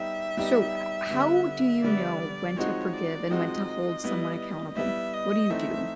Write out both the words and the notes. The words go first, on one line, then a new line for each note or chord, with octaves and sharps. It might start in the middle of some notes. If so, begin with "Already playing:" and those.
So, ah how do you know when to forgive and when to hold someone accountable? What do you do?
Already playing: G3 B3 D#4 G4 E5
G3 B3 D#4 G4
D3 G3 B3
D3 G3 B3 D5
F3 G#3 C4 D#4 F#4 C#5
D5
F3 G#3 C4 D#4 F#4 D#5
G3 B3 E4
G3 B3 E4 E5
D#5
E3 A3 C4 D#4 E5